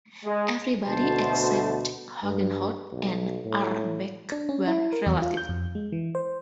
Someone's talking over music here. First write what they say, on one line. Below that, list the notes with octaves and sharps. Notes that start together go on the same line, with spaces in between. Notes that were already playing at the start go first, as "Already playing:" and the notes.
Everybody except Hoogenhout and Ahrbeck were related.
G#3
D2 B2 C5 A5
G2
B1
A2
D4
C#4
E4
A#4
E2
F4
G6
F2
G#3
E3
C5